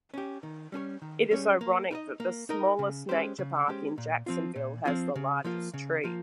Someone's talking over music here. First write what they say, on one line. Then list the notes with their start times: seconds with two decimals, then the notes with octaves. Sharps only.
It is ironic that the smallest nature park in Jacksonville has the largest tree.
0.14 C#4 G4
0.43 D#3
0.72 G3 C#4 G#4 C#5
1.02 D#3
1.31 G3 C#4 G#4 C#5
1.61 A#3
1.91 D#4 A#4 D#5
2.20 A#3
2.49 D#4 A#4 D#5
2.79 C#3
3.09 G#3 C#4 G4 C5
3.39 C#3
3.68 G#3 C#4 G4 C5
3.98 A#2
4.26 F3 C4 F4
4.56 A#2
4.85 F3 C4 F4
5.16 C#3
5.44 F3 A#3 F4
5.74 C#3
6.04 F3 A#3 F4